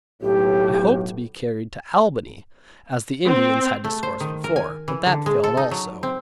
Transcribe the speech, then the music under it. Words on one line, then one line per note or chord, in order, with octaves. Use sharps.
I hoped to be carried to Albany, as the Indians had discoursed before, but that failed also.
B1 A2 G4
C4
A3
C5
D#3
A#4
G#5
E3
D3
G#3
A4
D#4
F#3
C4